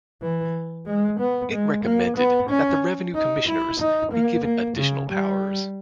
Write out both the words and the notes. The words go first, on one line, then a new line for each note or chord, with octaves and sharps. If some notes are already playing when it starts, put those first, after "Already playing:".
It recommended that the Revenue Commissioners be given additional powers.
E3
G#3
B3
G#3
A#3
B3
C#4
D#4
E4
D#4
A#3
A#3
C#3
G3